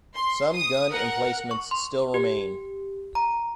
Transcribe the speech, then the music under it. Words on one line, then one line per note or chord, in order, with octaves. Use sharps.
Some gun emplacements still remain.
C6
D#6
A#4 F#5
C#6
C6
G4
A#5